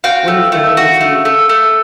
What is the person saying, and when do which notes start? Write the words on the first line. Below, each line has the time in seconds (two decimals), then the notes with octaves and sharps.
when you know that you
0.04 F#4 F5 G5
0.28 A3
0.52 A3
0.77 F#4
1.01 A3
1.25 A3
1.49 A3